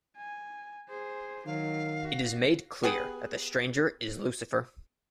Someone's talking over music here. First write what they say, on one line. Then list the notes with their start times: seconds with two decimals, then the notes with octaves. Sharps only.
It is made clear that the stranger is Lucifer.
0.16 G#5
0.89 G#4 C5
1.46 D#3 F#3 F5
2.01 F#4
2.83 B3 G4 G#4 B4